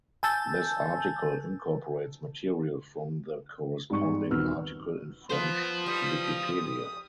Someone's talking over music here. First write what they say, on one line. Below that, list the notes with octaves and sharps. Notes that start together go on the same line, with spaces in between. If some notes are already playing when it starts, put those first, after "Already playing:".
This article incorporates material from the corresponding article in French wikipedia.
G#5 A5 E6 G6 A6
G#2 G3 G#3 C#6
D#1 D#3 B3 F#4 E6 F6
B3 F4 C5
G3 D#6